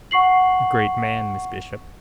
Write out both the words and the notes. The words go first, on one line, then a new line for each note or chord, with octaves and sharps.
A great man, Miss Bishop.
F#5 C#6 C7 F#7